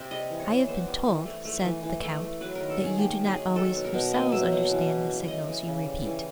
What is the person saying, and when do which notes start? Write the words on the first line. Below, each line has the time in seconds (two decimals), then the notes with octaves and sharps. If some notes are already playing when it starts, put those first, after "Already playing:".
"I have been told," said the count, "that you do not always yourselves understand the signals you repeat."
Already playing: C3 C5
0.11 G3 D#5
0.30 E3
0.40 C#5
0.49 E3
0.68 B3 C5
0.88 G3
1.07 E3
1.26 A3
1.45 A3
1.64 E3
1.83 E3
2.02 A3
2.21 A3
2.41 F#3 B4
2.55 D#3 A#4
2.70 A4
2.79 D#3 G#4
2.98 A#3 G4
3.18 F#3
3.27 G#4
3.37 D#3
3.56 F#3 A4
3.75 B2
3.84 A#4
3.94 B2
4.13 A#3 D#5
4.32 F#3 E5
4.52 B2
4.71 E3
4.90 C#3
5.09 C#3
5.28 A3 D#5
5.47 E3
5.67 C#3
5.86 G3
6.05 E3